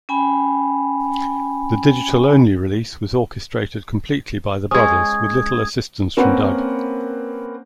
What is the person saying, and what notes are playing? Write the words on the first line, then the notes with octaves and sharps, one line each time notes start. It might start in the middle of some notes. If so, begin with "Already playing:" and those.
The digital-only release was orchestrated completely by the brothers with Little assistance from Doug.
C#4 G5 G#5 B5
G#3 C#4 D#6 G#6
A#3 C4 C#4 A#4 B4 F#5